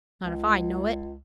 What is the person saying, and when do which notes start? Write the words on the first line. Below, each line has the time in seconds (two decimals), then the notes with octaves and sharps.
Not if I know it.'
0.24 C#2